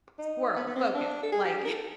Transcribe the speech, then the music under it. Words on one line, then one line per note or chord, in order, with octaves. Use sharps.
squirrel, focus, like
D#4
B3
B3
C4
D4
A4
G#4
G4
G#4
A#4
A4